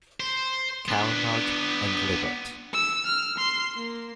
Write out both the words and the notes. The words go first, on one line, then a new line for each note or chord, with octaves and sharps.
Calinog, and Libot.
C5
B3 D4
E6
F6
C6
A#3